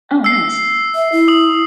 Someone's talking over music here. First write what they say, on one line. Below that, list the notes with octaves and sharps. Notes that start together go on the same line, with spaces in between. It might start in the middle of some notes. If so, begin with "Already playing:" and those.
Oh, nice.
E6 C7
E5
E4
D#6 F#7